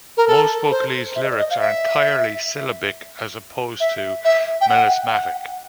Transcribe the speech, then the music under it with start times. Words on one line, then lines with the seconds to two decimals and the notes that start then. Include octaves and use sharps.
Most vocalese lyrics are entirely syllabic, as opposed to melismatic.
0.17 A#4
0.28 A4
0.71 C5
1.15 E5
1.23 D#5
1.30 D5
1.38 D#5
1.50 F5
1.60 E5
3.80 E5
4.25 E5
4.61 G5
4.69 F#5
5.07 G5
5.13 F#5